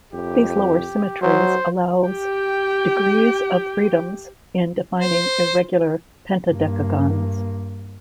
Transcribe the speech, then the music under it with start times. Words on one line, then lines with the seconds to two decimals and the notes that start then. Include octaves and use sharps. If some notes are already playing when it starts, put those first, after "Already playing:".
These lower symmetries allows degrees of freedoms in defining irregular pentadecagons.
0.13 F2 G4
1.22 F#3 C5
2.09 G4 G5
5.00 C5
6.47 G2 A#3